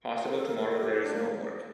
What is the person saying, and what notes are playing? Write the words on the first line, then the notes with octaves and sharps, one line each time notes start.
Possible tomorrow there is no work.
C5
A#4
A4
A#4
A#4
A4
G4
G4
D4
A#3